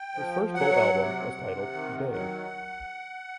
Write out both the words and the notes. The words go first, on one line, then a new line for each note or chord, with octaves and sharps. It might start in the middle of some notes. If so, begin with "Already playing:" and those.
His first full album was titled "Bae".
Already playing: G5
F3
F#3 F#5
C3
C3
D#3
F#3 F#5